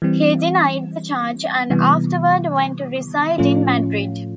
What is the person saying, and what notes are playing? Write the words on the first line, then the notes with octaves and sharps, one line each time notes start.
He denied the charge and afterward went to reside in Madrid.
E3 G3 C4
C3 E3 G3 B3
A2 F3 A3 C#4 F4